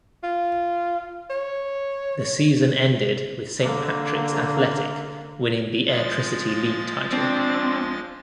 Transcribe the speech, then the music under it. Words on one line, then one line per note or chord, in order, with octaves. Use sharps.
The season ended with Saint Patricks Athletic winning the Airtricty League title.
F4
C#5
D3 A#3
F3 G#3 A6
C4 D4